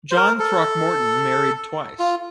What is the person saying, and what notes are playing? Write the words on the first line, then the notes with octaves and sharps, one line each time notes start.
John Throckmorton married twice.
C5
A#4
A4
F4